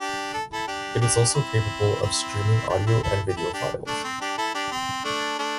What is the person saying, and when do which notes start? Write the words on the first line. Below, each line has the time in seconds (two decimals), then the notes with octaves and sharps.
It is also capable of streaming audio and video files.
0.01 D4 G4
0.33 A4
0.53 E4 A4
0.67 D4 G4
1.01 D4 G4
1.29 D4
1.34 C4 E4
2.02 C4 E4
2.69 D4 G4
2.86 C4 E4
3.03 E4 A4
3.29 G4
3.37 E4 A4
3.53 D4 G4
3.87 A3 D4
4.04 C4
4.21 D4 G4
4.38 E4 A4
4.54 D4 G4
4.72 C4
5.04 A3 D4
5.39 A3 D4